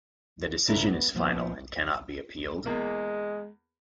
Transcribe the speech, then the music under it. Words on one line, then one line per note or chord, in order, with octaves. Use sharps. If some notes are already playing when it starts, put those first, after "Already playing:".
The decision is final and cannot be appealed.
D2 G#2 C#3 D4 E4 A#4
B3
A#2 F3 B3
E2 G#3 A#3